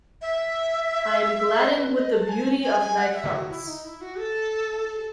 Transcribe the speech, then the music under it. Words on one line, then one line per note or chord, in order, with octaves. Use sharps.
I am gladdened with the beauty of thy thoughts.
E5
D#5
B4
D#5
A5
G#5
G#5
G#5
F#5
E5
F#4
E4
D#4
E4
F#4
A4